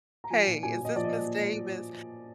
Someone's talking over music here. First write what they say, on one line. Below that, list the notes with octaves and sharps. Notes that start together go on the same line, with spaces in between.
"Hey, is this Ms. Davis?"
A#5
F3 G#5
A#2
A#2 G#5
A#2
D#5
F3 D5
D#5